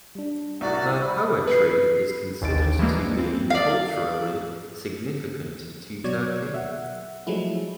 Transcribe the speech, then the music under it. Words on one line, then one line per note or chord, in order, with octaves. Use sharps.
Her poetry is considered to be culturally significant to Turkey.
G3 D4
C2 A2 F#4 D5
B5
B4 C7
A1 D#2 A6 D7
E3 F3 G3 G#3 A#3
C4
D5 F5
B2 F#3 C#5 D5 G#6
E5 F#5
F3 F#3 G#3 A3 E4